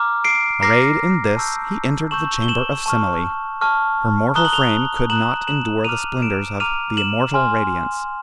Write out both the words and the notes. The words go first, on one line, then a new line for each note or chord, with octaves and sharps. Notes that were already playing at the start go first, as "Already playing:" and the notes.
Arrayed in this, he entered the chamber of Semele. Her mortal frame could not endure the splendors of the immortal radiance.
Already playing: A#5 D6 F6
C7 D7
A#5 D6 F6 A#6 C7
A5 C#6 E6 G6
A5 C#6 E6 G6 E7 F#7
G7
E7 F#7
A5 C#6 F6
A5 C#6 F6
A#5 D#6 F#6 G7
F#7
F7 G7
A#5 D#6 F#6 E7 F#7
E7 F#7
A#5 D6 F6 D#7 F7
D7 E7
A#5 D6 F6 D#7 F7
E7 F#7
G#5 C6 F6